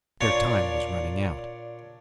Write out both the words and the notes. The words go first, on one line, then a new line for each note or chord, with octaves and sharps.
Their time was running out.
A#2 D4 C#5